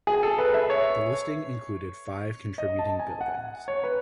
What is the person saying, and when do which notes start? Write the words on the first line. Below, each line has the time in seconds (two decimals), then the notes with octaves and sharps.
The listing included five contributing buildings.
0.07 G#4
0.23 A4
0.39 B4
0.54 E5
0.70 C#5
2.58 D#5
2.79 A5
2.99 G#5
3.21 F#5
3.68 C#5
3.84 B4